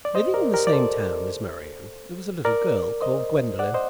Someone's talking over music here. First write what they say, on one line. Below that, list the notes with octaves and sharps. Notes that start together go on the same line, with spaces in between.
Living in the same town as Marian there was a little girl called Gwendolen.
D5
C5 D#5
A#4 D5
G4 A#4
D5
A4 C5
A#4 D5
C5 D#5
D5 F#5
C5 D#5